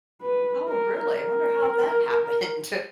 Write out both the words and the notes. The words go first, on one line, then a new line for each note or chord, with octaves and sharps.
Oh, really? Wonder how that happened.
B4
A#4
A#4